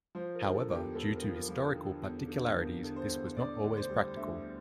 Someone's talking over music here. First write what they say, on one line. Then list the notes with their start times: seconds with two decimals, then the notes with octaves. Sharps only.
However, due to historical particularities, this was not always practical.
0.15 F3 C5
0.35 A#4
0.41 D3
0.49 A#4
0.55 A4
0.68 E2
0.75 G4
0.95 E2 A4
1.15 A#4
1.22 F3
1.36 A#4
1.49 F3
1.55 A#4
1.75 D3
2.02 E2
2.29 D3
2.56 E2 A#4
2.83 D3
2.96 C5
3.09 E2
3.27 C5
3.37 D3 D5
3.64 D2
3.77 C5
3.90 G3
4.17 D2 E5